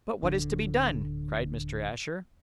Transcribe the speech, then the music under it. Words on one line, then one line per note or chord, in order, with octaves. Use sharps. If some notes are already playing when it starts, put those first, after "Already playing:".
"But what is to be done?" cried Mr. Asher.
D1 D3